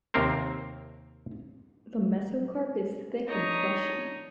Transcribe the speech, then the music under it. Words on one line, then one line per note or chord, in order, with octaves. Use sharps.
The mesocarp is thick and fleshy.
D#2 C3 C4 A#4 C5
D4 D#4 C#5 D#5